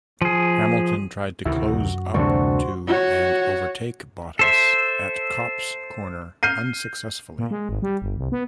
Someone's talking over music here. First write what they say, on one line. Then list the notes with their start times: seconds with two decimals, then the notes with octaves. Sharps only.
Hamilton tried to close up to and overtake Bottas at Copse corner unsuccessfully.
0.22 F3 G#4
1.45 D2 C3 D#3 E4 F#4
1.74 F#2
2.14 D2 C3 E3 G3 D4 F#4 C5 C#6
2.88 F#4 C#5
4.39 A4 C5 E5
6.43 F6 G6 C7 D#7
7.39 A#2
7.51 G#3
7.69 G#1
7.82 G3
8.02 G1
8.18 C2
8.32 B3